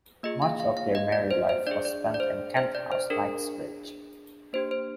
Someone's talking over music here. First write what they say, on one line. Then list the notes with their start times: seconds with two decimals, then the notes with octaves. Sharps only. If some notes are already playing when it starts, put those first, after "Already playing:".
Much of their married life was spent in Kent House, Knightsbridge.
0.23 A#3 F4 G#4 D#5
0.42 F5
0.60 F5
0.77 F5
0.95 D#5
1.12 D5
1.31 C5
1.49 C5
1.67 D4 G#4 D5
1.85 D5
2.14 D5
2.20 C5
2.57 C5
2.75 D5
2.92 C5
3.10 D4 G#4 A#4
4.53 A#3 D4 G4 C5
4.71 C5